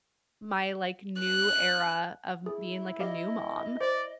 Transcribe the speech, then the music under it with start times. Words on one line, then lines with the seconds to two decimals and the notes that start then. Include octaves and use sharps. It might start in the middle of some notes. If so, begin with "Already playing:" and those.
my, like, new era of being, like, a new mom,
1.20 F#6
2.46 E4 G#4
3.00 G4 D5 D#5 F5
3.81 C5 D5